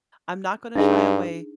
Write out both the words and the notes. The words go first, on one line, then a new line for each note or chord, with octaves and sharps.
I'm not gonna shy away
G2 D4 D#4 G#4